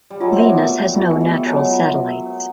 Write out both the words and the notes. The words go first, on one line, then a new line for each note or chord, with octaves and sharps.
Venus has no natural satellites.
G3
F#3 G#3 F4
C4
B3 E5
A#3
G3 A3 A#4
C#5
A3 B3 F4
G#3 E5
G3 A3
A#4
F#3 G#3
C#5
F4
E5
A#4
C#5